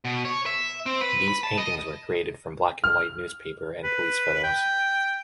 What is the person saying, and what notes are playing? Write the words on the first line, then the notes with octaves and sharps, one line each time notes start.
These paintings were created from black-and-white newspaper and police photos.
B2
C#5
E5
C4
B4
B5
A5
D#5
F6
B4
G5